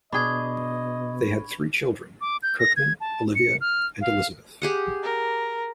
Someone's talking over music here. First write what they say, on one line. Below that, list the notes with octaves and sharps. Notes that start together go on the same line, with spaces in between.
They had three children, Kirkman, Olivia and Elizabeth.
B2 D4 G#4 D#5 B5 C#6 G#6
D6
G6
A#6
G#6
A5
C#7
F6
F5
G4 G#4 F#5
A#4